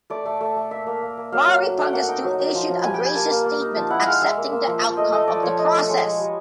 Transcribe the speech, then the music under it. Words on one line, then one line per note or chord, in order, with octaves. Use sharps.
Mari Pangestu issued a gracious statement accepting the outcome of the process.
A3 D5
A3
A3
A3
A#3 E5
A#3
A#3
A#3
F#3 F5
F#3
A3
A3
G5
A#3 F#5
D#4 G5
F#3
F#3
F3
F3
G3 G#5
G5
G3 G#5
A#3 A5
A#3
A#3
D#4
F3 A5
E4 F#5
G#3 F5
G#3 E5
A#3
A#3
F3
F3
A3 D#5
A3 D#5
F3 D5
F3 C#5
A3 D#5
A3
G#3 C#5
G#3
G3